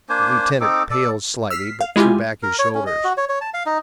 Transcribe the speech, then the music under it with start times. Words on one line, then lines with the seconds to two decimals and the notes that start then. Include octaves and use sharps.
The lieutenant paled slightly, but threw back his shoulders.
0.09 A#3 D4 C5 G#5
0.61 C4 D#4 A4 D6
0.91 A4 D5
1.50 E6 F6 B6 C7
1.81 F5
1.96 G#3 E4 F4 G4 G#5
2.43 A#4
2.59 C#5
2.75 C#4
2.87 D#5
3.04 F#4
3.17 C#5
3.29 C#5
3.41 A5
3.54 F5
3.66 D#4